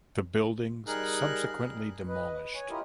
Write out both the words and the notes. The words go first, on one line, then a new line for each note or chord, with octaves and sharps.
The buildings subsequently demolished.
G3 D#4 G#4 A#4 F#6
B4 D#5
C#5 G#5
E4 F4 G4 A#4 D#5